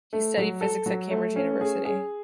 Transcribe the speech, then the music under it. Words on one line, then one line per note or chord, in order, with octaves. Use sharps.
He studied physics at Cambridge University.
A3
F#3
A4
F#3
A3
C#4
G#4
G#4